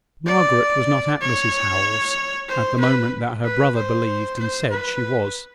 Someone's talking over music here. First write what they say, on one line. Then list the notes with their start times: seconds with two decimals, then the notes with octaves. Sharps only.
Margaret was not at Mrs Howell's at the moment that her brother believed and said she was.
0.26 D5
1.22 C#5
2.49 C5
2.80 B4
3.44 B4
3.76 C5
4.39 C5
4.71 B4